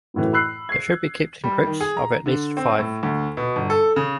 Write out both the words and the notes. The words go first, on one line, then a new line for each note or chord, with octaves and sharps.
They should be kept in groups of at least five.
F#2 A2 E3
B5 E6 F#6 C7
G#6 C7
G3
D#3
G#4
A#5
D3
C4
A2
D2
B2
G1
A4
C#3